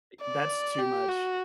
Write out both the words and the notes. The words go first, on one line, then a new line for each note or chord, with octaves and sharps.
I that's too much.
D5
G4
F#4